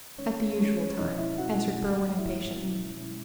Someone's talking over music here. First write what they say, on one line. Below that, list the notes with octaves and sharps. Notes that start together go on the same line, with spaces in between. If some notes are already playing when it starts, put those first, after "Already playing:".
"At the usual time," answered Berwin impatiently.
D#3 G#3 C#4 D#4 C#5
D#3 G#3 C#4 D#4 C#5
C#5
B2 G#3 C#4 D#4 E4 D#5
E4 E5
B2 G#3 C#4 E4 F#4 F#5
G#2 D#3 F#3 A3
G#2 D#3 F#3 A3 E4 E5
B2 G#3 C#4 E4
B2 G#3 C#4 E4